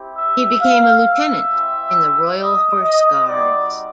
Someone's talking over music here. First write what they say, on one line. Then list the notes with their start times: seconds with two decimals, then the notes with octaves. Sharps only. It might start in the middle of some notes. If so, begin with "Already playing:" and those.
He became a lieutenant in the Royal Horse Guards.
Already playing: C4 E4 G4
0.16 E5
0.60 F5
1.05 E5
1.49 G#3 C4 E4 G4
2.38 D#5
2.82 D#5
3.26 G3 C4 D#4 F#4 D5